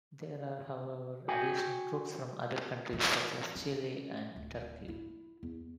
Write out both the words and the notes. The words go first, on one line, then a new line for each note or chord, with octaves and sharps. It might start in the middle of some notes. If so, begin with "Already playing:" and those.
There are however, additional troops from other countries such as Chile and Turkey.
F#4 G5 G#5
E3
C#4
D1
E4
E2